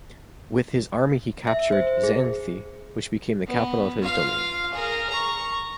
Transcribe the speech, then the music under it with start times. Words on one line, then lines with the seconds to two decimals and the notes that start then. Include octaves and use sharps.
With his army he captured Xanthi, which became the capital of his domain.
1.47 E5
1.72 C5
2.03 G#4
3.47 B3
4.03 F4 F5
4.73 G#4 A#4
5.10 A#5 C#6